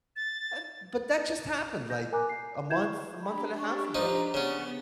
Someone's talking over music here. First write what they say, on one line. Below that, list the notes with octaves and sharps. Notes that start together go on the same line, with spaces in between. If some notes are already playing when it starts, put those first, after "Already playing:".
eh but that just happened, like, a month a month and a half ago.
A6
G6 A#6
A#4 G#5 A#5 D6 F#6
C7
E4 E5 G6 G#6 E7
C#6
D4 G4 A#5 B5
C#4 D5 C#6
F3 D#4 A#5 D6
C#3 B3 C#4 D5 F#5 C#6